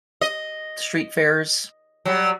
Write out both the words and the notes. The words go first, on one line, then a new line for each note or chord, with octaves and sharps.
street fairs.
D#5
F#3 G3